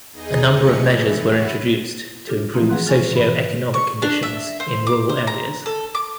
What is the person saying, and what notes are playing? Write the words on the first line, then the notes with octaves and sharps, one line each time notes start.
A number of measures were introduced to improve socio-economic conditions in rural areas.
E2 D#4 G#4 D#5
A#2 F3 A3 G4 C#7
E3
E4 F#4
D4 F4 G4 A4
E3 F3 A3 A#3 C4 D#4
G#4 B4 F5 F#5 C6 F#6
F4 G#4 G#5 C#6
G#2 B2 E3 B5
C#6
D4
E5
C5
D6
C5
A#5
A4
D6